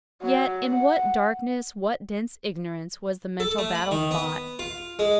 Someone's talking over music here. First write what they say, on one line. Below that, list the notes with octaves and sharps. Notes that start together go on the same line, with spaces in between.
Yet in what darkness, what dense ignorance, was the mental battle fought!
F#3
F#5
A4
A3
B5
D#3
B3
F4
G#3